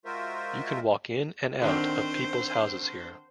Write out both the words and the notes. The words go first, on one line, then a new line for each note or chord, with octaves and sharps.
You can walk in and out of people's houses here.
G#3 F4 F#4 A#4 C5 E5
D3 D#3 C4 C5